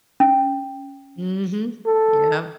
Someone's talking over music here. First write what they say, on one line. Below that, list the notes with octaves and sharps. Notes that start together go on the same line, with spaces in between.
Mhm, yep.
C#4
A4